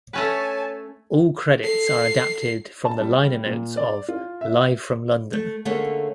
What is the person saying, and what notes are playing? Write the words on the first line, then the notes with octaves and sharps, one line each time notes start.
All credits are adapted from the liner notes of "Live from London".
A3 C#4 B4 C#5 G#5 A5
A4 C7
A5
G3
A#2
D5
F4
E5
A3
D3 A3 A#3 C#4 G#4 C#5